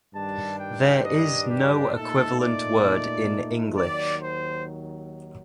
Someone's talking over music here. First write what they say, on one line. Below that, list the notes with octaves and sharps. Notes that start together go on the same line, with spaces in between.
There is no equivalent word in English.
G2 D#3 G3 D4 A5
G5
D#5
G4
A#2 A3 D#4 A4
D5
D#2 D#3 F#3 D5
C5